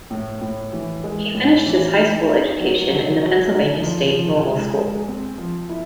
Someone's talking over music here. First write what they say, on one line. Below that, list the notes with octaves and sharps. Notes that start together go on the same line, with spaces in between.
He finished his high school education in the Pennsylvania State Normal School.
A2
A2
E3
G#3
A2
E3
D#4
D#4
F#3
F#3
F#3
D#4
F3
F3
G#3
G#3
C4
F3
E4